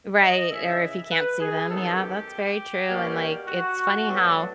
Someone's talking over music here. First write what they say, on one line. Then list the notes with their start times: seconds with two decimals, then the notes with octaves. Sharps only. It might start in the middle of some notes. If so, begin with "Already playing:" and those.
Right, or if you can't see them. Yeah, that's very true, and, like, it's funny how,
0.22 D#5
0.52 C#3 E3 G#3 C#4 E5
0.82 E5
1.11 B4
1.40 G#4
1.70 F#2 D#3 F#3 B3 A4
1.99 G4
2.88 B2 G3 A#3 C#4
3.47 F#4
4.06 A2 F#3 B3 D4